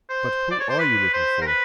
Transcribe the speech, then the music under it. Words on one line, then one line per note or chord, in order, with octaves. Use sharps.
But who are you looking for?
C5
D5
C#5
C5
B4
C5
A#4
B4